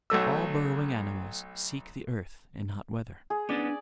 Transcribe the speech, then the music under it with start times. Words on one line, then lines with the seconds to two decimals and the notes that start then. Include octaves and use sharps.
All burrowing animals seek the earth in hot weather.
0.10 B1 F#3 A3 E6
3.30 G#4
3.49 B3 C#4 D4 D5